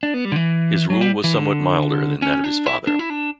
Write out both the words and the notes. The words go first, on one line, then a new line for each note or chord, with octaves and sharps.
His rule was somewhat milder than that of his father.
D4
B3
G3
D3
E3
F#3
G3
E3
D3
C#4
D4
E4
D4
E4
D4